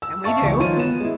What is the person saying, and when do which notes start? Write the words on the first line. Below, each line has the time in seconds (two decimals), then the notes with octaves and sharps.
And we do.
0.02 E6
0.24 E5 F5 A5 C#6 A6
0.42 E1 C#2 E3 C#6
0.59 D#3 F3 F4 C#5 D#7
0.77 B3 E7
1.00 G#3 E4